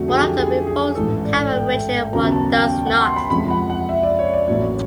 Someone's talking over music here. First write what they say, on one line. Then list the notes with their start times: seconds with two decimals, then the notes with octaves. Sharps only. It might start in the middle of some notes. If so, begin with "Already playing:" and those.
One of them involves time-averaging, and one does not.
Already playing: F2 D3 F#3 A3 F#4
0.08 G#4
0.22 G4
0.37 G#4
0.67 G#4
0.95 A1 G#2 E3 A3 A4
1.25 D5
1.54 G5
2.13 D#2 C#3 F#3 B3 A#5
2.32 A5
2.52 G5
2.86 F#5
3.01 C6
3.16 B5
3.30 F2 C3 F3 G#3 B5
3.50 F#5
3.70 F#5
3.89 E5
4.03 D5
4.19 C#5
4.34 D5
4.48 A1 A2 F#3 A#3 C#5